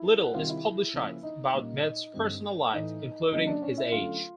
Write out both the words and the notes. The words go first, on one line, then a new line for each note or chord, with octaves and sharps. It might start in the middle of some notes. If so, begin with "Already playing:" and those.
Little is publicized about Metz's personal life, including his age.
Already playing: E4 E5
F#5
C3 D#3 G3 F4 F5
E4 E5
C#3 F3 A#3 C#4
D#4 D#5
A#2 G3 A#3 C#4
D#4 D#5
G2 D3 G3 C4
A2 E3 A3 D#4 D#5
C#3 F#3 A#3 C#4 D#4 D#5
D4 D5
C#4 C#5
E4 E5
D3 F#3 A3 C#4 F4 F5